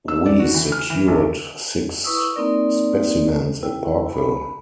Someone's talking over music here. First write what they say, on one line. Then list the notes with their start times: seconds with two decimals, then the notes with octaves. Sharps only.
We secured six specimens at Parkville.
0.08 E6
0.26 D5
0.39 F#4
0.54 E3
0.72 F6
0.90 E3
1.08 A#1
2.04 E4 B4 C#6 D#6 E6
2.36 A#3 C4 D#4 A#4 D5
3.63 E4 G5
4.13 B5